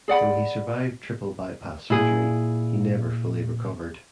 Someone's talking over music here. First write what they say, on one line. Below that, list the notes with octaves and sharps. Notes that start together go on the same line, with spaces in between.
Though he survived triple bypass surgery, he never fully recovered.
G#4 D5 F#5 B5
A#2 E4 G#4